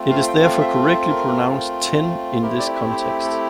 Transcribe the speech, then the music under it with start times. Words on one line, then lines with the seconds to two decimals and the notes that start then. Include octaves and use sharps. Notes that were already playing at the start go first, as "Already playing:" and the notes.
It is therefore correctly pronounced "ten" in this context.
Already playing: A3 C4 F4
0.10 F5
0.27 G5
0.43 F5
0.60 E5
0.93 C5
1.09 A#4
2.42 A3 C4 E4 G4 A#4
2.59 D5
2.75 E5
2.91 C5
3.24 A4